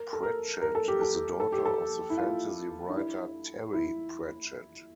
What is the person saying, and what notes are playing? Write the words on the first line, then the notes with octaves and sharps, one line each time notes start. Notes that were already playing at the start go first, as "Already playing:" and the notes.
Pratchett is the daughter of the fantasy writer Terry Pratchett.
Already playing: A#4
A4
A#4
A#4
A4
G4
A4
A4
G4
A4
E4
F4
D4
E4
E4